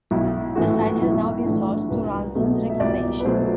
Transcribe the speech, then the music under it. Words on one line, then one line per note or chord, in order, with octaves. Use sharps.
The site has now been sold to Ronsons Reclamation.
B1 E4
A2 E3 A3 F#4
B1 E4
A2 E3 A3 D4
C2 B4
B2 F#3 A3
E5
C2 D5
B4
B2 F#3 A3 C5